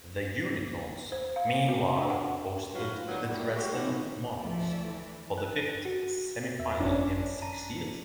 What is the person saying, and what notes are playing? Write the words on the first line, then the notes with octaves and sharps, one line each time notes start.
The Unicorns meanwhile hosted the Dresden Monarchs for the fifth semifinal in six years.
C5
F5
F#4
D4
F#5
G#2 F#3 F4 F#4 B4
D3 D#3 F#3 G3 B3 D#4
A2 G3
G#3 F#4 G4
A2 F3 C4 C#4 D#4 F#4
D#3
D2 F3 A3 A4 D5 E5
E3
F#6
F#4
E2 E5
G#1 F#2 C#4 D4
A5 A#5 D#7